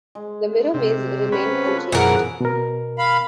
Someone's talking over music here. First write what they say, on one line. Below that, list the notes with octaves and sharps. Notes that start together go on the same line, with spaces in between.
The Mirror Maze remained unchanged.
G#3
C3
C3 F#3 C#4 B4
F3 A4 C#5
F#2 B2 E3 G#4 A#4 F#5
B2 A#4
F5 B5